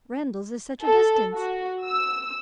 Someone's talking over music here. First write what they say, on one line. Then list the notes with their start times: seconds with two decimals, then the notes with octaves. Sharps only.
Randalls is such a distance.
0.83 A4
1.34 F#4
1.85 E6